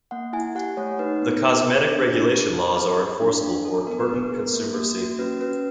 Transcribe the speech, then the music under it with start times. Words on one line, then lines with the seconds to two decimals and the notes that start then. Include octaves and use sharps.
The cosmetic regulation laws are enforceable for important consumer safety.
0.11 A#3 F#5
0.33 E4 G#5
0.55 G4 F#5
0.77 A3 C#5
0.99 D#4 B4
1.22 B3
1.44 B3
1.67 G#4
1.88 D4 A#4
2.10 D4
2.32 A4
2.55 C4
2.77 C4
2.99 G#4
3.21 D4
3.42 D4
3.65 A4
3.87 B3 A#4
4.00 B4
4.09 B3
4.14 A#4
4.31 G#4
4.53 A#3
4.75 A#3
4.98 F#4
5.19 C#4 B4
5.41 C#4 B4